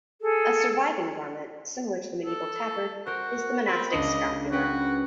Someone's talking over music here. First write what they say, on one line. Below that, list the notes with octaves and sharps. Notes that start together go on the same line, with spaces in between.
A surviving garment similar to the medieval tabard is the monastic scapular.
G#4 A4
A4
F#4 A#4 C5
C4 B5
C#2 D4 D#5 C7
C#4 F#4 B4 G5